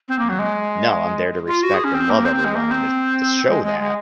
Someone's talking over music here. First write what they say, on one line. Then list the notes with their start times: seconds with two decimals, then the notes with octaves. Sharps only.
N no, I'm there to respect and love everyone and to to show that.
0.08 C4
0.19 A#3
0.29 F#3
0.39 G#3
1.47 F4
1.63 F#4
1.74 G#4
1.84 C#4
1.94 C4
2.10 A#3
2.25 C4
2.35 C4
2.45 G#3
2.55 A#3
2.71 C4
3.48 G#3
3.64 G#3
3.80 G#3